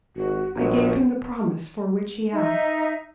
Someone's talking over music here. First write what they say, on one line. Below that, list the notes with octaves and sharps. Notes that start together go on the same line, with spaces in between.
I gave him the promise for which he asked.
G#1 F#4
A#1 F#4
D#4 E5